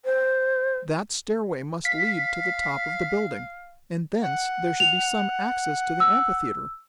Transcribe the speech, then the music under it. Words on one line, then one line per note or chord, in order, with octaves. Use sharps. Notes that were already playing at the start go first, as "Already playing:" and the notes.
That stairway must lead to the top of the building, and thence there should be some access to the amphitheatre.
C5
F5 B6
F#5
F7
E6